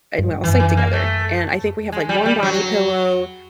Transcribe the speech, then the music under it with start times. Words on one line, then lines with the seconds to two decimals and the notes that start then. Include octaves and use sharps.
and we all sleep together, and I think we have, like, one body pillow
0.19 G2
0.44 F#2 E3
0.60 E3
0.77 A#3
0.93 A3
1.42 F2
1.56 F#2
1.68 F2
1.80 E2
1.92 G#3
2.09 G3
2.26 G3
2.43 F#3
2.86 F#2
2.93 F2
3.17 E2